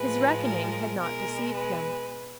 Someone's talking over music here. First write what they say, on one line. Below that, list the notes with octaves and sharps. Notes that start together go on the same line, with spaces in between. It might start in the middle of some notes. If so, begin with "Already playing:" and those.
His reckoning had not deceived him.
Already playing: A2 F3 G#3 B4
A#4
B2 G#3 A#4
B4